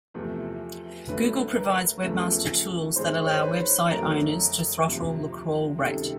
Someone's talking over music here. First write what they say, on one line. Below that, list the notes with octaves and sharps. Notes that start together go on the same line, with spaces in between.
Google provides "Webmaster Tools" that allow website owners to throttle the crawl rate.
E2 C3 F3 A3
D2 D3 F#3 A3 B4
B4
A#4
E2 C#3 F3 A3
G#2 D#3 G#3 C5
C#5
C5
B4
F2 D3 F#3 A3 A#4
D2 C3 F3
C#2 C3 D#3 G3 A4